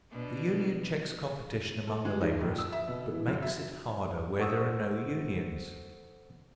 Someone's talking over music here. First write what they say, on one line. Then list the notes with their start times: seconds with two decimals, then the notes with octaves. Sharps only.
The union cheeks competition among the labourers, but makes it harder where there are no unions.
0.10 B2 D4
1.87 A4
2.05 G#3
2.21 D#4
2.41 A#1
2.58 E6
2.72 E5
2.88 B2
3.11 E3
3.28 F#2
3.42 E5
4.39 A4 C5 F#5 C#6 D#6 E6